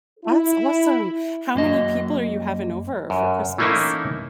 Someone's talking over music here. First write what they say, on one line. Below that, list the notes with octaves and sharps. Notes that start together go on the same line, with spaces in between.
That's awesome. How many people are you having over for Christmas?
E4
F#2 A#3 D#5
F#2
E3 A3 A#3 C#4 D#4 E4